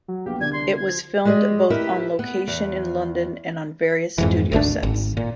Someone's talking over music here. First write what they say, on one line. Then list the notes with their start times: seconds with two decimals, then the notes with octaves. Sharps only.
It was filmed both on location in London and on various studio sets.
0.08 F#3
0.26 A#1 B3 G4 F5
0.41 C2 D3 D4 G#6
0.53 C6
0.77 G#6
0.89 F3
1.25 G#3 G4 G#4 B4 D5 D#5
1.70 E4 G4 A#4 B4
2.19 B3
2.48 E2
4.18 F2 G#2 E3
4.52 G#1 D2 A3 D4
4.83 G#1
5.17 A#2